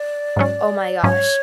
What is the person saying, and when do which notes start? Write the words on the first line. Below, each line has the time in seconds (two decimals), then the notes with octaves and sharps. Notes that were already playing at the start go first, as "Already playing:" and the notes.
Oh my gosh.
Already playing: D5
0.36 G#2 F#3 C#4
1.03 G#2 F#3 C#4 C#5